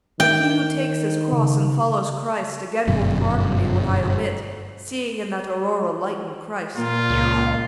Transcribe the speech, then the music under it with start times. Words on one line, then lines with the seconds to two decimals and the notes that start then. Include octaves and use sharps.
But he who takes his cross and follows Christ Again will pardon me what I omit, Seeing in that aurora lighten Christ.
0.20 D#3 G5
1.32 C#3
2.87 G1 F#2 B2
6.77 A#2 A#3 F4
7.10 C#2